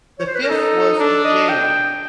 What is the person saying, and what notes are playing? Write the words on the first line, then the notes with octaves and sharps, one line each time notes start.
The fifth was in jail.
C#5
C5
B4
A#4
D#4 A4
D4 A4
D#5
G5